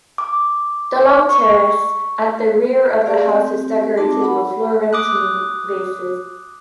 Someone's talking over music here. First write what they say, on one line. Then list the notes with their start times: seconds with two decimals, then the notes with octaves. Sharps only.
The long terrace at the rear of the house is decorated with Florentine vases.
0.18 D6
1.29 C#6
3.06 G4 G#4 D5 F5
3.26 C4 G4
3.97 C4 D#4 F#4 A#4 A5 D6
4.21 F#5 B5
4.93 D6 D#6 F#6